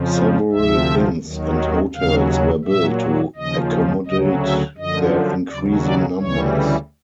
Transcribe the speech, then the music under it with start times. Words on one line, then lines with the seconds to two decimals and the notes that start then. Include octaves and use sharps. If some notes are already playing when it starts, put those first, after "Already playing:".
Several inns and hotels were built to accommodate their increasing numbers.
Already playing: F2 C#3 F3
0.52 D2 C3 F3 E5
1.23 D#2 D#3 F#3
1.94 D#2 C#3 F#3 F5
2.65 A#2 F#3 E5
3.36 D#2 C#3 F3 D#5
4.06 D2 C#3 F#3 D#5
4.42 E5
4.77 F#2 D3 F3 D#5
5.48 D#2 C#3 F#3 D5
5.84 D5
6.19 D2 C#3 E3 G3 C#5